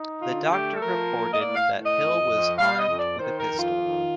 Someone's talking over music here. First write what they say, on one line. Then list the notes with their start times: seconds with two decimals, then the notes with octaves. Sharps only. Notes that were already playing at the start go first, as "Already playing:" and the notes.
The doctor reported that Hill was armed with a pistol.
Already playing: D#4
0.21 D3 F4
0.51 A3 G4
0.75 A4
0.81 F3 A#4
1.11 A#3
1.33 D#5
1.41 A2 D5
1.55 F5
1.70 A2
1.85 D#5
2.00 F2
2.30 F2
2.58 G3 F5
2.79 D#5
2.89 F2
2.99 D5
3.19 D#3 C5
3.39 A#4
3.49 F2
3.58 F4
3.78 D#3